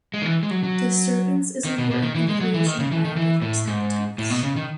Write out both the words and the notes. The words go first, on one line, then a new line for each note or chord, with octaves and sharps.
Disturbance is important in the creation of biodiverse habitats.
G#3
D#3
E3
G#3
F#3
F#3
D#3
B2
B2
D#3
E3
G#3
F#3
E3
D#3
C#3
E3
D#3
E3
A2
G#2
A2
B2
C#3
D#3